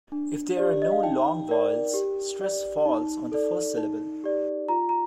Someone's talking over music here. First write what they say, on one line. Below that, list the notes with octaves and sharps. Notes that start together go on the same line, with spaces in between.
If there are no long vowels, stress falls on the first syllable.
D4
G4 D5
D#5
F5
D#4 G5
A#4 D5
G4
D5
D#4
A4 D5
D#4
G4 D5
F4 A#5
A#5